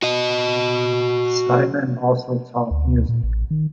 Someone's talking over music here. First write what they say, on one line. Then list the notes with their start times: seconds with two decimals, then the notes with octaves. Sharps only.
Simeon also taught music.
0.03 F#4 D#5
2.71 D2
3.09 A#2
3.23 A1
3.51 D#3